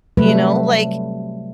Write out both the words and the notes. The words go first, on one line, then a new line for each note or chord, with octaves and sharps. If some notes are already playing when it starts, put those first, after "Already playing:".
you know, like,
C3 F#3 G3 A3 B4